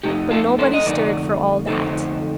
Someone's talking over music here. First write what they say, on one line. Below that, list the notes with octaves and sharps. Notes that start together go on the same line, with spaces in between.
But nobody stirred for all that.
F2 D3 A3 D#4 G4
F4 A4
A4 C5
D#5
F2 D3 A3 D#4 A#4 D5
F2 D3 A3 D#4 A4 C5